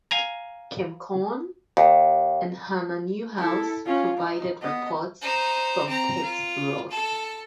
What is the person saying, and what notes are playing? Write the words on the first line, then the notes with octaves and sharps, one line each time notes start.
Kim Coon and Hannah Newhouse provided reports from pit road.
F5 G#5 A#5
D#2
E4 A4
C#4 F4
D#4
B3 D#5
D#4 C5
C4 A#5
F4
A4